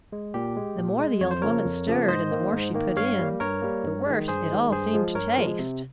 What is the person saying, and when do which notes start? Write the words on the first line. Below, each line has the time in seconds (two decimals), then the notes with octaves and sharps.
The more the old woman stirred, and the more she put in, the worse it all seemed to taste.
0.12 G#3
0.34 A#2 G4
0.56 G#3
0.78 A#2
0.99 G#3
1.21 F2 C#5
1.31 C5
1.42 C#3 F3 A#3 A#4 C#5
1.65 F2
1.87 C#3 F3 A#3
2.08 G#2 C5 D#5
2.31 D#3 A#3
2.53 G#2
2.74 D#3 A#3
2.97 G2 C#5 F5
3.19 G3 A#3
3.40 G2 A#4 C#5
3.62 G3 A#3
3.84 G2
4.06 D#3 G#3
4.28 G2 G#4 C5
4.50 D#3 G#3
4.71 G2 G#4 C5
4.93 F3 G#3
5.15 G2 A#4 C#5
5.38 F3 G#3
5.59 C3